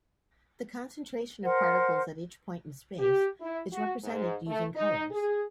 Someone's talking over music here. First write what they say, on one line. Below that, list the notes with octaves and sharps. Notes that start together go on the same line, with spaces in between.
The concentration of particles at each point in space is represented using colors.
A#4 C5 F#5
G4
E4
F#4
G#2
A3
D#4
G#4